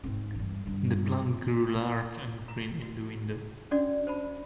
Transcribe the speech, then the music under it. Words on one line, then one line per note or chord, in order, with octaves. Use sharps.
The plant grew large and green in the window.
G#2 C4
G2 E3
G2 D3
A#5
F#4
C#4 D4 F#4 D5 C6
C5 A5 B5